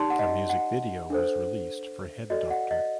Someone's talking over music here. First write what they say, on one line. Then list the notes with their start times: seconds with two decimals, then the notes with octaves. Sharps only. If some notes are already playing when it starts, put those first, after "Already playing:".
A music video was released for Head Doctor.
Already playing: D#4 G4 D5 A5 C6
0.10 F#5
0.19 D#5
0.49 F#5
1.10 D4 A4 C5
2.30 F#4 A4 D5 D#5
2.50 F#5
2.71 D#5